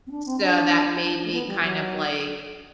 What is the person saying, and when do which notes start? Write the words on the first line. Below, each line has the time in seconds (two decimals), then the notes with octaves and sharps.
So, that made me, kind of, like,
0.07 C4
0.11 D4
0.26 C4
0.41 D4
1.01 D4
1.17 D4
1.25 A3
1.32 B3
1.47 G3
1.62 F#3